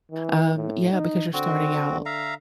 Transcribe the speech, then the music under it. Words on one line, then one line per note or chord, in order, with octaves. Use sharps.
Um, yeah, because you're starting out
E3
A2
D#4
D3 C4 F#4
E5 F5 A#5